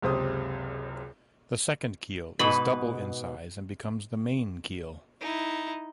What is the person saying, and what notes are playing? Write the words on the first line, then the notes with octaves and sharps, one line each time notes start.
The second keel is double in size and becomes the main keel.
F#1 C#2 C3 C5 D#6
G#2 B2 B4 B5
D#4 E4